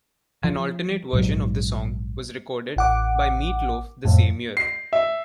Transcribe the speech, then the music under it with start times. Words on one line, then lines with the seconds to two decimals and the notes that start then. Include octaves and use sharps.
An alternate version of the song was recorded by Meat Loaf the same year.
0.44 F3
1.13 A#1 G#2 F#3
2.76 A1 F#5 D6
4.05 F2 A2
4.57 C7
4.93 E5